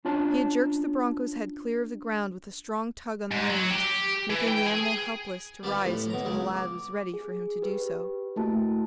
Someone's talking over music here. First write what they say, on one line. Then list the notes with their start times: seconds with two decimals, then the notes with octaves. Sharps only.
He had jerked the broncho's head clear of the ground with a strong tug on the reins, making the animal helpless to rise until the lad was ready for him to do so.
0.05 C#4 D4 F4 C#5 A5
3.31 G#2
3.50 F#3
3.70 G4
4.30 E3
4.48 G5
4.67 G#4
5.63 G3 C4 F4 B4
5.85 A2
6.10 B2 A#5
6.25 C#2 G#3
6.55 D6
7.14 G#4
7.62 G4 B4
8.36 A3 A#3 E4 F#4 A4 A5